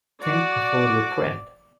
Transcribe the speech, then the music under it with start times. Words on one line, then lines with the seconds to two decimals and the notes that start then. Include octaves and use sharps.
Think before you print.
0.23 F#4 D5